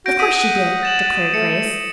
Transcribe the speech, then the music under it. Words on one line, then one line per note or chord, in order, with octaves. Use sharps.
"Of course she did," declared Grace.
F#4 G6 A#6 D7
F#5 D#6 B6 D#7
A6 E7 F#7
A3 C#7